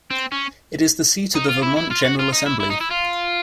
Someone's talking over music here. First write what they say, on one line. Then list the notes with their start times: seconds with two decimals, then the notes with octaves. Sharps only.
It is the seat of the Vermont General Assembly.
0.11 C4
0.32 C#4
1.36 D#4
1.49 F4
1.63 E4
1.77 E4
1.91 F4
2.05 F#4
2.19 F4
2.32 D#4
2.46 E4
2.60 E4
2.70 D#4
2.81 E4
2.91 F4